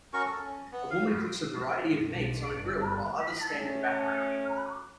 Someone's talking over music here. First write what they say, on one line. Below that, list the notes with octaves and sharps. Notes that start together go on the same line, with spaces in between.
A woman cooks a variety of meets on a grill while others stand in the background.
C#4 F#4 A#4 C#6
A4
C#4
B3
F5
B1
G1
A3 C#4